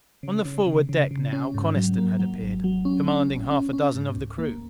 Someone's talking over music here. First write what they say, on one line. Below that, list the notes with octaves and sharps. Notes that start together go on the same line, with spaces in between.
On the forward deck now Coniston had appeared, commanding half a dozen of the crew.
C#3
C#3
C#3
C#3
C#3
C#4
G#2
F#3
A#3
F#3
G#1
F#3
C#4
C#4
G#1
C#4
C#4
G#2
C#2
A#3